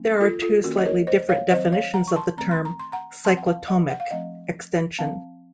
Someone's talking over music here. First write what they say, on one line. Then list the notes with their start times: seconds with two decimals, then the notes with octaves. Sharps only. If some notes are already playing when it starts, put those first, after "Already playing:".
There are two slightly different definitions of the term cyclotomic extension.
Already playing: F#3 A#3 C#4
0.20 F4 A4
0.42 F4 A4
0.63 D#3 A#3 C#4 F#4 A#4
0.77 D#5
0.86 A#4 C#5
1.07 C5 D#5
1.29 C#5 F5
1.51 D#3 F#3 C4 C5 D#5
1.72 C#5 F5
1.94 F#5 A#5
2.07 C#6
2.16 A5 C6
2.37 D#3 A3 C4 A#5
2.51 C6
2.65 A#5
2.79 C6
2.92 F#5 A#5
3.24 F3 C4 A5 C6
3.37 F#5
3.46 F5 A5
3.68 D#5 F#5
3.90 F#5
4.00 F5
4.10 F3 A3 C4 D#5 F#5
4.99 F3 C4 F5 A5